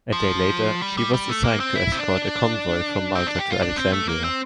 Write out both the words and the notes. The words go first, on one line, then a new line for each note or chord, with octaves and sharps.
A day later, she was assigned to escort a convoy from Malta to Alexandria.
F3
G3
G3
G3
A3
A#3
C4
E4
C4
D4
C4
D4
G4
F4
D4
C4
A3
A#3
C4